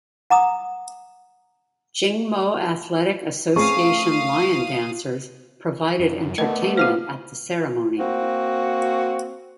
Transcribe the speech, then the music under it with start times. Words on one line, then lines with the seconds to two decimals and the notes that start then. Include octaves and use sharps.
Jing Mo Athletic Association lion dancers provided entertainment at the ceremony.
0.30 F#5 A#5 D6 D#6
3.56 A3 C4 C#4 G#4 F5 B5 C#6 D#6
6.00 F#2
6.38 A3 B3 D4 A#4 D#5 G5
6.77 E4 F#4 C5 F5
7.99 A#3 C4 F#4